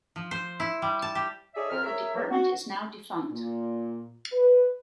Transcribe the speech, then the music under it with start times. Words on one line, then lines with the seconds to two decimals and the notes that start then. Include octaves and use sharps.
The department is now defunct.
0.16 F3
0.31 C5
0.60 E4
0.82 G3
1.02 A5
1.15 G4
1.55 D#4 G#4 A4 C#5 D5 E5
1.70 F2 A#4 F6
1.83 G#4 A#4 C#5 E5
2.14 E2 F#3
2.30 F#4
3.32 A#2
4.32 B4